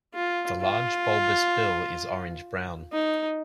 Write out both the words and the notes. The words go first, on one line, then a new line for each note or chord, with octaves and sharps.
The large, bulbous bill is orange-brown.
F4
F4
D#4